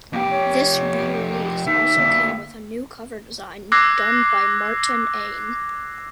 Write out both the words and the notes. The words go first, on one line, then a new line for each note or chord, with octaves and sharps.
This re-release also came with a new cover design done by Martin Ain.
F2 A#3 G4
C#5
D#2 D#4 E5
D3 A#3
D6 E6 F#6 G#6 A#6 C7